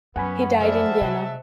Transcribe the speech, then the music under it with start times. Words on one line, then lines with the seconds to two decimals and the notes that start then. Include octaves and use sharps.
He died in Vienna.
0.16 F#2 B3 C#4 F#5 G#5 B5
0.61 F3 A#3 D4 E5 A5
1.01 C3 F#3 G#3